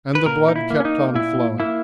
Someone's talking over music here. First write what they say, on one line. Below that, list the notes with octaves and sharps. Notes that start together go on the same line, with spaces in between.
And the blood kept on flowing.
B4
A#2 A#4
D#4
E4
A#3
C#4
D#4
A#2 E4
A#3 E4